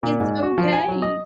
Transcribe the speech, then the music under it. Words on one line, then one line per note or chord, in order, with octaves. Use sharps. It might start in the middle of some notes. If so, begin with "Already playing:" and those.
it's okay,
A#2
G#2
F#4
F3
G#5
F#3
D#5